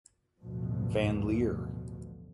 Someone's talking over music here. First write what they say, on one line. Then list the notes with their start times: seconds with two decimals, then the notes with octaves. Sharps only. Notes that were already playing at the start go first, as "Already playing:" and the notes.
Van Leer.
0.41 A1 D2 G2 B2 F3